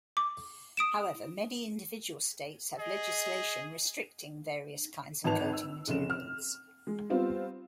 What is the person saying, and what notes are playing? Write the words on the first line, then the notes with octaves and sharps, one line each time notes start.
However, many individual states have legislation restricting various kinds of coating materials.
D6
D#6 D7 E7
G#4 D#5
G#1 D#4 B4 A5 F7
E6
F1 C#3 E7
F6
G#3
G3 B3 C4 F4